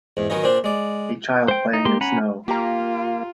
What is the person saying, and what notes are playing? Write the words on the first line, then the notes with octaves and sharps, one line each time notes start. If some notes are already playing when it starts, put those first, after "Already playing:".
A child playing in snow.
E2 G#2
D#3 F#3 B3 C#4 D#4
A#2 C4 D4 C5
G#3 D5
C5 G5
D#4
A#3 G4 C6
C#4 F#5 G#5 A#5 B5
A#3 F4 G4 A#5